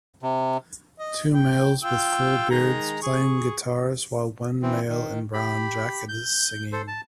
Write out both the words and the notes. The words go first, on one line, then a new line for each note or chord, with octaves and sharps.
Two males with full beards playing guitars while one male in brown jacket is singing.
C3
D#5
G5
F4 G5 E6
D#3 G#3 A#5
G#4 C#6
E3 C4
D#3
G4 B5
G6
A4 C5
A5